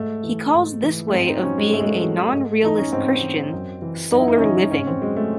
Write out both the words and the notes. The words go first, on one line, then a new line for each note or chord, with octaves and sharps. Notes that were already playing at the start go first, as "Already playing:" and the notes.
He calls this way of being a non-realist Christian "solar living".
Already playing: G#2 A3
E3
G#2
E3
A3
G#2 C4
D#4
F#3 C#4
G#3
G#2 A3
G#3
A3
F#3
G#2
E3 D#4
C#4
G#2 C4
E3
F#2
E3
F#2 D#4
E4
D#4
C#4
E3 D#4
G#2 C#4
C4
F#3 G#3
A3